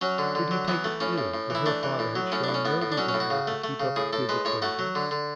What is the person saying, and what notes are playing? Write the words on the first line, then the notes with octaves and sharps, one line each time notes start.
Did he take it ill that her father had shown no desire to keep up his acquaintance?
F#3 C#4
D3
D3
F#3
E3 B3
A3
A2 C#4
A2
A2
E3 E4
A3 D4
E3
A2
F#3
A2 C#4
D4
A2
C#4
A2 B3
A2
D4
F#3 C#4
C#4
A2
F#4
C#3
A3
A3
C#3
A2 G#4
A2 A4
G#3 B4
A2 C#5
A3 F#4
F#3
D3
D3